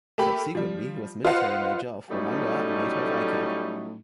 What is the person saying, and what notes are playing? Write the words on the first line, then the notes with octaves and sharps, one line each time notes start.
Subsequently, he was military major of Huamanga and later of Ica.
A3 A#3 G4 B5
F3 G3
F4 B4 C5 D#5 F5 F#5
A2 F#3 G3 A3 C#4 D#4